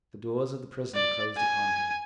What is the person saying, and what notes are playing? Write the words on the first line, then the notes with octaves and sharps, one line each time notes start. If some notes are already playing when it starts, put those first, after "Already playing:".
The doors of the prison closed upon him.
D5
G#5